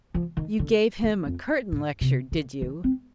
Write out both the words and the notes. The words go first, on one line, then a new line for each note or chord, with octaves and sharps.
'You gave him a curtain lecture, did you?'
F3
D#3
D3
D#3
F2
A2
C3
D3
D#3
C4